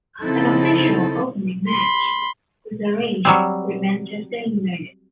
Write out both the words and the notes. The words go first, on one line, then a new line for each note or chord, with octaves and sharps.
An official opening match was arranged with Manchester United.
C#3 F3 C4 D#4 E4 A4
B5 C6
F#3 G3 C4